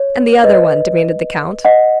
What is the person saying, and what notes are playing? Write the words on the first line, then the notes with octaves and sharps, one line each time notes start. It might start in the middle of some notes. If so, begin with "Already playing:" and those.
"And the other one?" demanded the count.
Already playing: C#5
B4 D#5
D#5 F#5